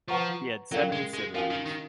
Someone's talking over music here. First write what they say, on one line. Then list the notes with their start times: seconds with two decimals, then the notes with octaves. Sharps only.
He had seven siblings.
0.08 F3 B4 F#5 A#5 C#6
0.71 F#3 C#4 F4 A#4 F5
0.92 G#3
1.13 G#3
1.34 F3 C#4 F#4 A#4 F5 G#5
1.50 D#3
1.66 D#3